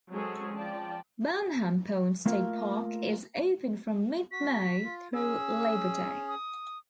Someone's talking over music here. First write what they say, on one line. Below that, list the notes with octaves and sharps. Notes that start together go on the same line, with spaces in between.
Burnham Point State Park is open from mid-May through Labor Day.
F#3 G#3 C4 C#4 G#4 A4
F3 D5 G5 A5
A3 A#3 F4 A#4 F5
F#4 B6
F4
C#4 G#4 E6
D#6